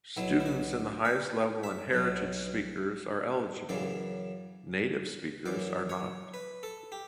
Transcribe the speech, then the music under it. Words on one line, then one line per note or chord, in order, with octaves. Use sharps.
Students in the highest level and heritage speakers are eligible; native speakers are not.
B1 B2 F#3 E4
E4
F#4
B4
E5
B1 B2 F#3
F#2 C#3 E3 D5
F#2 E3 D5
C#5
B4
A4
G4